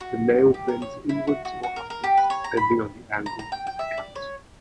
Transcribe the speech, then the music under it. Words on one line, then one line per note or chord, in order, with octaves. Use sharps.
The nail bends inwards or upwards depending on the angle of its cut.
F#4
G4
A#4
C#5
E4
F#4
F#4
F#4
A#4
A#4
G4
B4
C#5
A#5
B5
A#5
A#5
G5
G5
E5
D5
C#5